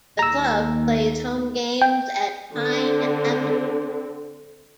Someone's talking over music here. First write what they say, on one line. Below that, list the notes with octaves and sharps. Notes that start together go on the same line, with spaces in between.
The club plays home games at "Pine Avenue".
D#2 A#5 E6
G5
D3 C4